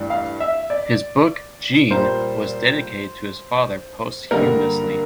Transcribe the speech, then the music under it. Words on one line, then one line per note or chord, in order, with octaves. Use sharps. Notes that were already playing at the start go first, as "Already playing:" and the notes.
His book "Gene" was dedicated to his father post-humously.
Already playing: G2 E3 A3
F5
E5
D5
A#2 G3 A#3 C5
G2 D3 G3 A#3 A#4